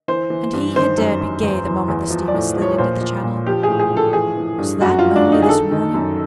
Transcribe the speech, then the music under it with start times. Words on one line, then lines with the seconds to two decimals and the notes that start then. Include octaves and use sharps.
And he had dared be gay the moment the steamer slid into the channel! Was that only this morning?
0.08 E3 C5
0.30 E3
0.53 G2
0.76 D#3 C5
0.98 F#2
1.21 F#2
1.43 E2
1.66 E3
1.88 E2
2.10 F3
2.28 D5
2.34 A2
2.55 F3
2.62 C#5
2.78 A#2 C5
3.01 F3
3.24 A#2
3.46 F3 G4
3.63 G#4
3.68 A2
3.80 G#4
3.91 F3
3.97 A4
4.13 E3 G#4
4.37 E3
4.58 G2
4.81 F#2 F#4
4.99 F4
5.04 F3
5.16 D4
5.26 F#2
5.32 D#4
5.42 G#4
5.49 D#3 A4
5.71 D#3
5.94 F#2